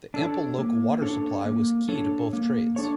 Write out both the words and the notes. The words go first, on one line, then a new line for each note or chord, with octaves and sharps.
The ample local water supply was key to both trades.
D4 A4 C#5
A#3
D4 A4 C#5
A#3
D4 A4 C#5
A#3
D4 A4 C#5